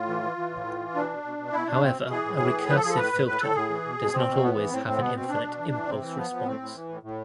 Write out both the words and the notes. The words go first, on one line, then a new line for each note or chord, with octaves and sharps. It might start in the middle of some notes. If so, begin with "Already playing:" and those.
However, a recursive filter does not always have an infinite impulse response.
Already playing: A2 F4
E3
E3
E3
A2
E3
E3
B2 D4
B2
B2
B2
B2 E4
B2 D4
B2 C4
B2
E3 G#4
A2
E3
A2
F3 B4
A4
F3 G#4
A4
A2 B4
A2
A2 B4
A2 A4
A2 G#4
E3
B2
B2
B2 C4
B2
A2 B3
E3
A2 C4
A2 C4
B2 B3
B2 C4
B2 D4
B2
E3
E3
C3 C4
E3
F3 B3
F3
A2 C4
A2
E3
A2
A2